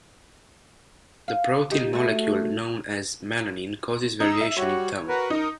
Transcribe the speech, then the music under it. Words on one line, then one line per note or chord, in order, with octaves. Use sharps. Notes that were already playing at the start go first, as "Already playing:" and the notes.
The protein molecule known as melanin causes variation in tone.
F5
D#4 G4
A3 F#4
D#4 A#5 E6
E5
G3 F#4 C#5
F#4 A#4 B4
D#4 A#4